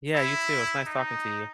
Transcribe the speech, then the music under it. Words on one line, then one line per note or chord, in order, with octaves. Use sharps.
Yeah, you too. It was nice talking to you.
E4
D#4